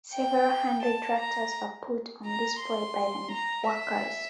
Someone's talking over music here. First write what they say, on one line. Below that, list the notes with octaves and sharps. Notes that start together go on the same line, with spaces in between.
Several hundred tractors are put on display by the workers.
G5
A5
A#5
A#5
C6
A#5
E5